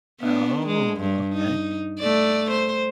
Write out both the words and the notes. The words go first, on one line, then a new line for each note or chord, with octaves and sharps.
Oh, okay.
B3 D4
G#3
G2
D#4
A3 D5
C5